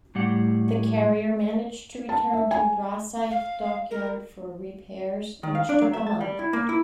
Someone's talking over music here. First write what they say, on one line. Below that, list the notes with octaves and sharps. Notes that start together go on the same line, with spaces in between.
The carrier managed to return to Rosyth Dockyard for repairs, which took a month.
A2 G3 G4 F#5
A5
E5
G#5
F5
A#4
D#3
F5
D4
F#3
E5
A5
G3
E4
A#3
E4